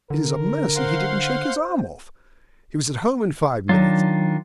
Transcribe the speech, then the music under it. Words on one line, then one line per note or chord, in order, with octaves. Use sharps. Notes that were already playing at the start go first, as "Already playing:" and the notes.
It is a mercy he didn't shake his arm off. He was at home in five minutes.
D3 A#4
C5 F5 F#5 C6
D#3 F#3 D4 F4